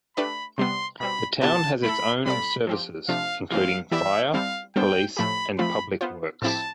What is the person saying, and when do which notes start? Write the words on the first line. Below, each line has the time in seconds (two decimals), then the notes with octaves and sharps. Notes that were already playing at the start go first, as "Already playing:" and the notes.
The town has its own services, including fire, police and public works.
0.17 A3 D4 G4 B4 D5 B5
0.58 C3 G3 B3 C6
1.00 B2 G3 C4 B5
1.41 B2 B3 E4 G4 B4 A5
1.83 A3 E4 A4 B5
2.26 G3 C4 F4 A4 D5 B5
2.67 F3 C4 G4
3.08 C3 F3 A3 D4 F4 F5
3.50 C3 E3 A3 C4 F5
3.91 E3 B3 E4 G4 D5 E5
4.34 G3 C4 E4 A4 F5
4.76 G3 B3 D4 A4 C5 G5
5.17 A2 F3 A3 E4 G4 B5
5.59 F3 A3 C4 F4 B5
6.01 B3 F4 C5
6.42 A2 F3 C4 E4 G4 A5